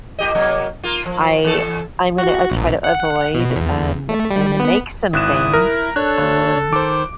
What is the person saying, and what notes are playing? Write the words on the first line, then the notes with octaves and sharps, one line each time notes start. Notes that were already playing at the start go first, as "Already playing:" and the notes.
I I'm gonna I try to avoid, um, and make some things, um,
A2 G4 D#5
C3 F#3 A#3
A#3 F4
F3
E2 A4
F#4
A#1
F#5
B2
E2
A3
G3
B3
G#1 E4 D#6 F#6 E7
A#4
D4 A4 C#5 F#6
D#3 C5 D6